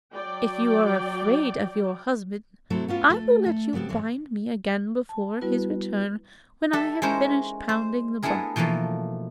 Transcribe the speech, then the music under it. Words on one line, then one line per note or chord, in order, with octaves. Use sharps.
If you are afraid of your husband, I will let you bind me again before his return when I have finished pounding the barley.
F#3 D5 G5
C3 F#3 A3 E4 A4 C5
B3 C#4 F4
A3
A3 A4
C#3 G3 B3 C4 G4
G#2 E3 G#3 C#5
A5
G3 B3 E4 F#4 B4
G4 A4 E5
G#3 C#4 D#4 E4 A#4 C5
C5
A3 B3 D4 E4 G#4 A#4
B2 E3 F3 A3 A#3